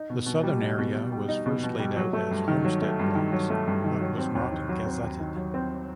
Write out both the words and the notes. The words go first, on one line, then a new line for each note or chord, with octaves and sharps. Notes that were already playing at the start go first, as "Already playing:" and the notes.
The southern area was first laid out as "homestead blocks" but was not gazetted.
Already playing: D#4
B2
B2
G3
D#4
B2
B2
G3
D#4
B2
B2
G3
F#3
A3
G2
D#3
F#3
A3
G2
D#3
F#3
A3
G2
D#3
F#3
C4
D#2
D#3
F#3
C4
D#2
D#3
F#3
C4